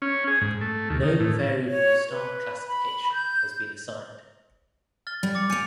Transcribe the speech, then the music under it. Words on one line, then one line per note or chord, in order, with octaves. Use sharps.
No variable star classification has been assigned.
C#4
G#4
G#2
A3
D#2
D#3
A2
C#5
B4
B5
G6
F6 A6 G7
G3
D6 A6 C#7
A#3 G#5 G6 C#7 F7